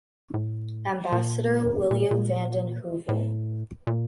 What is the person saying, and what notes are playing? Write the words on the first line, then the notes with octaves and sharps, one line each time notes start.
Ambassador William vanden Heuvel.
A2
A#2
A#2
A#2
A2
A#2